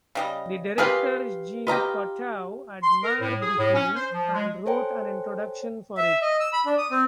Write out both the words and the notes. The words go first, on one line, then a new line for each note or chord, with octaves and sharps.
The director Jean Cocteau admired the film, and wrote an introduction for it.
C#3 G3 D#5
F4 G4 G#4 A#4 B4 F5
F4 G4 B4 D#5 A#5
C6
A#4
A2
G#4
A2
C#4
C5
F3
G#3
A4 C5 C#5 G5 G#5
E5
D#5
E6
B5
D4
D#6
C4